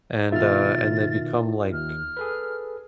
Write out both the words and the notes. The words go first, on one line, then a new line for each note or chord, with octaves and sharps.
and, uh, and they become, like,
B2 D#3 D#4 F4 E5 F6 A6
D#2 F6
G#4 A4 B4